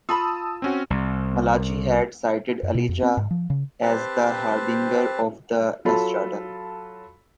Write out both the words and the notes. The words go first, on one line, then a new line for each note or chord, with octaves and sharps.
Malachi had cited Elijah as the harbinger of the eschaton.
F4 A5 B5 D#6 E6
C4 C#4 F#4
C2
F#2
B2
F2
C4
G#2
F3
C#3
C4 G4 B4 C5 A5
F#3 F4 A4 A5 B5